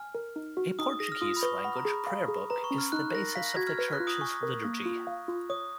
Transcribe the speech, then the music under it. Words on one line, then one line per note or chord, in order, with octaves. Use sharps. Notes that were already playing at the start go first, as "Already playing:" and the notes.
A Portuguese language Prayer Book is the basis of the Church's liturgy.
Already playing: G#5 F6
A#4
D#4
F#4
D#4 D#6
G#4 A#6
F6
F4 D#6
B5
B4 C#6
F#5 B5
A#5
G#4 B5
F5
G#4
B4 A#5
C#6
C#4
F6
D#4 F#6
A#4 A#6
F5 B6
A#6
F#4 G#6
F6
B4 F6
F#6
F4
D#6
G#5 C#6
A#4
A#3
F4
F5
F4
C#5 D#6